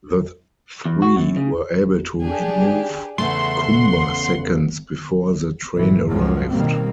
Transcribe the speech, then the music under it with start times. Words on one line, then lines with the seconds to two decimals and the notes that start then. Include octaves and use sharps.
The three were able to remove Cumba seconds before the train arrived.
0.85 E2
1.02 F#4
1.16 F#2
1.36 C#3
2.22 D4 G4 G#4
3.18 E2 C#3 A3 E5 F#5 C6
3.67 F#5
5.76 G1 A#2 E3
6.08 C#2 G2 F3 F#3 G#3
6.51 B2 D#3 G3 A#3 C4